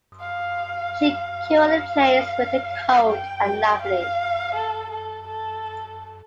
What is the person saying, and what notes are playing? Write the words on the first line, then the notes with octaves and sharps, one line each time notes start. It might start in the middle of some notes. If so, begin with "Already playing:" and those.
She currently plays with The Cold and Lovely.
F5
F5
G5
F5
A4
A4
A4